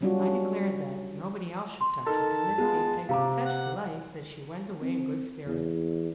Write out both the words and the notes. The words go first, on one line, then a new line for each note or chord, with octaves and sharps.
I declared that nobody else should touch it; and this gave Peggotty such delight that she went away in good spirits.
F#3 G3 C#4 D4 F4 F#4
C6
D#4 A4 A#4 A5
G#3 B3 F4
C3 F5 A#5 D6
F#5
C4
E2